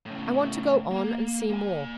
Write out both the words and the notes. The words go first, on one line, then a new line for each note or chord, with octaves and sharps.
I want to go on and see more.
A2 C#3
A#3
A#3 G#5